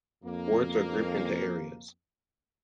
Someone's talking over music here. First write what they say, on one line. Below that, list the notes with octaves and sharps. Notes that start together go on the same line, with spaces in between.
Wards are grouped into areas.
F2 A#3